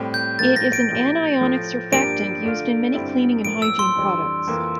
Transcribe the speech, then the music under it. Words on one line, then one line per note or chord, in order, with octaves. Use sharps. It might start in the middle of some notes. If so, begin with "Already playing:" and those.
It is an anionic surfactant used in many cleaning and hygiene products.
Already playing: A2 G3 C4 G4
G6
A2 F3 A#3 F4 A6
A#6
D7
A#2 F3 A#3 E4 G4
A2 F3 A3
G2 F3 A#3 D4 G4 D7
D3 A3 D4 F4
G2 D3 G3 C4 E4
A2 F3 A#3 D7
E6
C6
F2 E3 G3 D4
F2 E3 A#3 F4